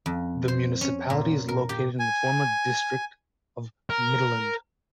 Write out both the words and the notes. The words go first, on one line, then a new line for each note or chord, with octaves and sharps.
The municipality is located in the former District of Mittelland.
F2
C5
C#4
A#2
A#4
G4
G#5
A#4